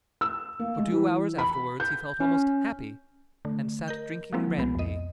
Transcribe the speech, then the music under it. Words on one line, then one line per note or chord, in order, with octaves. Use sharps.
For two hours afterwards he felt almost happy, and sat drinking brandy.
E6
A#3
G#3
E3
B5
G6
C#4
D3 A3
A#4 D#5 G6
F3 F#3 G#3 A#3 C4 E4
C2 B2 G#3 B3
F2 D#5